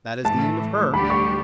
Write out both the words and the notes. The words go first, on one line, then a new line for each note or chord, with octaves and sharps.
That is the end of her.
A2 E3 A3 A5
D2 D3 G3 D4 G4 B5
C#6